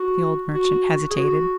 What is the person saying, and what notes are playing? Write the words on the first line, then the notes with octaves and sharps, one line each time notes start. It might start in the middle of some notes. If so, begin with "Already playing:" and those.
The old merchant hesitated.
Already playing: F#4
F#4
G#4
F#4